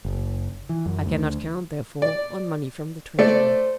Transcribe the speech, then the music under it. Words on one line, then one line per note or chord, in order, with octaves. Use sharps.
"I cannot count, therefore, on money from the treasury."
F#1
E3
F#2
D2
D5
A3 C5 D5